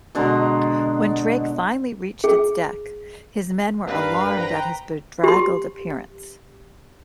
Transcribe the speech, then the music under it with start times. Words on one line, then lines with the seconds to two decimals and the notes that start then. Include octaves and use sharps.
When Drake finally reached its deck, his men were alarmed at his bedraggled appearance.
0.15 B2 D3 G#3 A#5
2.24 G#4
3.87 G2 A#4 B4 F5
4.36 C5 G5 A#5
5.24 G4 C6